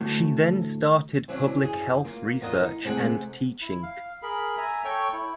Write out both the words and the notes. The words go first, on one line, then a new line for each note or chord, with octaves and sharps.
She then started public health research and teaching.
D2 A2
C3 E3 F#3 C#4 D4
F#2 G#4
A#3 F4
E2 B3 F4 A#4 D#5
D#4
C3 G#3 A3 G#4 F#5
E4
F5
G#4 A#4 B5
E5 G#5 A#5
A4 C#5 G5 C#6
E4